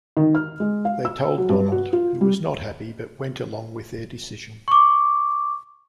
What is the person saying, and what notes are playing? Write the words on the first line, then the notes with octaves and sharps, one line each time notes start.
They told Donald, who was not happy, but went along with their decision.
D#3
F6
G#3
F5
E6
F#3
G2
F#4
F4
G3
C#6 D6